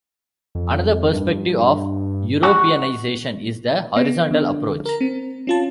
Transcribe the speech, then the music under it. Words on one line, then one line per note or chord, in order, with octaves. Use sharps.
Another perspective of Europeanisation is the 'horizontal approach.
F2
G2
F#4
B3
D3
A#4 A#5
C4
C#4 F4 A5